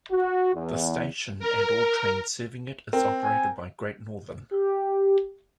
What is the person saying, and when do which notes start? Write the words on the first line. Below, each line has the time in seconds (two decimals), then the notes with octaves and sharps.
The station, and all trains serving it, is operated by Great Northern.
0.11 F#4
0.55 E2
1.39 A#4
2.93 C4 A#4
3.23 G#5
4.51 G4